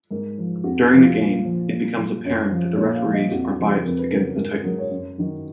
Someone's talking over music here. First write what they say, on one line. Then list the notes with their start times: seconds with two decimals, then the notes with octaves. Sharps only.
During the game, it becomes apparent that the referees are biased against the Titans.
0.11 G#2 A#4
0.38 F3
0.64 F2 F#4
0.82 F#4
0.91 C#3 F3
1.00 F4
1.18 A#2
1.45 F3
1.70 A#2
1.98 F#3
2.25 F#2 C#5
2.50 F3
2.77 A#2 C#5
2.95 F5
3.04 F3
3.13 D#5
3.31 F2 F#4
3.48 F#4
3.58 C#3 F3
3.67 G#4
3.84 F2 A#4
3.97 B4
4.11 C#3 F#3 A#4
4.37 G#2 A#4
4.51 G#4
4.64 F#3 A#4
4.78 C#5
4.91 F#2
5.18 D#3 F#3